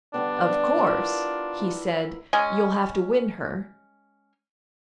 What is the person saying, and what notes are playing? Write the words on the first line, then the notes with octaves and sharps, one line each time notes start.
"Of course," he said, "you'll have to win her."
D3 G3 B3 D4
E4 F4 A#4
E4
G#3 C#4